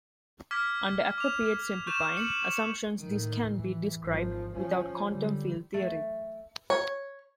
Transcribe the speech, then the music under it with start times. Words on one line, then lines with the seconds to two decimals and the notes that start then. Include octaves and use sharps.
Under appropriate simplifying assumptions this can be described without quantum field theory.
0.51 D6 F6 G#6 B6
1.18 D6 F7
1.87 C#6 G6 E7 F7
2.17 C#7 F#7
3.00 A2 D#3
3.54 E3
4.01 G#1 F3
4.54 F3 C#4
5.06 D3 G3
5.74 A3
6.70 C#5